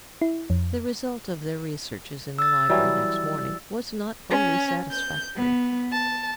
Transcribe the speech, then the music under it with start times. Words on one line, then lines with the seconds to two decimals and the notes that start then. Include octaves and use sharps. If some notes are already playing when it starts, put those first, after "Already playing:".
The result of their researches in the library, next morning, was not wholly satisfactory.
0.21 E4
0.50 F2
2.38 E6 A6
2.69 E3 F#3 G3
4.29 C#4
4.91 G6
5.37 B3
5.91 A5